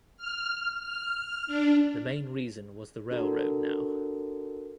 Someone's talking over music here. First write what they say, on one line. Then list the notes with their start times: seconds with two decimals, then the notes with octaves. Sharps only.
The main reason was the railroad now.
0.17 F6
0.81 F6
1.47 D4
3.11 D4 F#4 A4 A#4